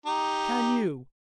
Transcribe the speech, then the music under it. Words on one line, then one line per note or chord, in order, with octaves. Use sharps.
"Can you?"
D#4 G4